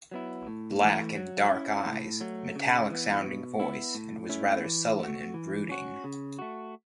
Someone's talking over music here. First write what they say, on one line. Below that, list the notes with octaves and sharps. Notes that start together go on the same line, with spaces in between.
Black and dark eyes, metallic sounding voice and was rather sullen and brooding.
F#3 B3 E4
A2
E3 A3
F#3
C#4 E4
A2
F#3 A3
C#3
E3 B3
B2
B3 E4
A2
A3 C#4 E4
E3
A3 F#4
E3
C#4 F#4
C#3
A3 F#4